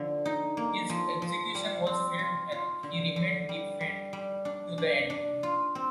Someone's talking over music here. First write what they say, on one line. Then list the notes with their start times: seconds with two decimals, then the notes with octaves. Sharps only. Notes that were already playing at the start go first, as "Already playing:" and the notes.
His execution was filmed, and he remained defiant to the end.
Already playing: D3 F3
0.25 D#4
0.57 A#3
0.90 F3
1.22 F3
1.55 G3
1.87 C4
2.19 F4
2.52 F4
2.83 D3
3.16 D3
3.49 G3
3.81 G3
4.13 G3
4.45 D4
4.78 D4
5.10 D4
5.43 F4
5.75 C4